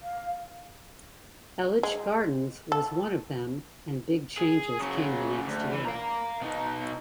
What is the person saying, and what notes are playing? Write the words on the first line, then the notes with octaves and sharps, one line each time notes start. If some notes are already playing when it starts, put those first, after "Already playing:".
Elitch Gardens was one of them and big changes came the next year.
F5
G#3
A4
G#4
C#3 F#3
D2
E3
F5 A#5
B2 D#4